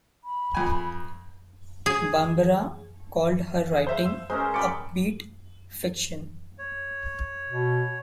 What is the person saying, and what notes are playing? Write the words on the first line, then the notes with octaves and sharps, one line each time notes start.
Bambara called her writing "upbeat" fiction.
B5
F2 G#5
G#4
G#4
C5 E5 F5
E6
G#3 C#4 A#4 C5
D5 G5 B5 D6 C#7
C#5
B2